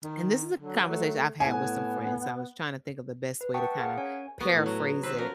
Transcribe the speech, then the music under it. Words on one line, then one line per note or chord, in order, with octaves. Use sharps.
And this is a conversation I've had with some friends, I was tryna think of the best way to kinda paraphrase it.
D#3
D3 F#3
A3
A2 B3 G#5
B4
E5 F#5 G5 A5 C#6 D#6
G#4 A#4 F5 F#5
C#4 C#5 G#5 G#6
B3 F#4
A2
F#3
D#3 C4 B4
F3 C#4 A#4